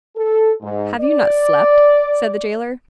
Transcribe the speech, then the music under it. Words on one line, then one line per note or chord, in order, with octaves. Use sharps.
"Have you not slept?" said the jailer.
A4
G#2
D5